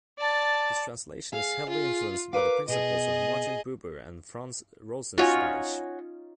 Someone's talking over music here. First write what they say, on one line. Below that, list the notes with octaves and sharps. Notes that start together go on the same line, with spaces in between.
His translation is heavily influenced by the principles of Martin Buber and Franz Rosenzweig.
D5 A5
G#4 F5
F4
A#4 B4 F5 D6
B2 G#4 D#5
C#4 D#4 F4 F#4 C#5 G#5